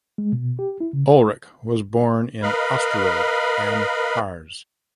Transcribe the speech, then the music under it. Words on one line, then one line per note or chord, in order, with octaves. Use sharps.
Ulrich was born in Osterode am Harz.
G#3
B2
G4
E4
C#3
A#4 B4 D#5 F5 B5